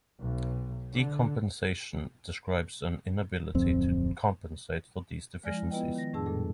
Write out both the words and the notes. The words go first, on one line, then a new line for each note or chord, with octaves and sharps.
Decompensation describes an inability to compensate for these deficiencies.
B1
D3
D1 F2 C4
F3 G#3 D5 G#5 F6 A#6
E4
B3 E4 F4 B4 D#5 G5
D#3 A#6
F2 A2 D4 G#4 A5 E6
F2 A#2 G3 A4